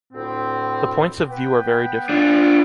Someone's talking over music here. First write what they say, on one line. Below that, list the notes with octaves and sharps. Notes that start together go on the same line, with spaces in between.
The points of view are very different.
D2 A2 C4
B3 B4 G5
D4 F4